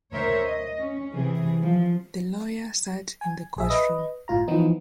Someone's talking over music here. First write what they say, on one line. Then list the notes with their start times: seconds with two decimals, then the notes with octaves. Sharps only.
The lawyer sat in the courtroom.
0.13 D2 A#4 C5 C#5 E5
0.44 D#5
0.79 C#4
1.13 C3 E3 G#4
1.62 F3
3.21 G#5
3.56 A#1 G#4 E5
3.70 B4 D#5
4.28 G1 A2 F4 A#5
4.48 E3 F3 B3 D#4